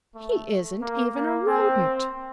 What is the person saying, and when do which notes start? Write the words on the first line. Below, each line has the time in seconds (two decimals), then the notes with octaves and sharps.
He isn't even a Rodent.
0.15 A3
0.82 A#3
1.15 A#3
1.47 C4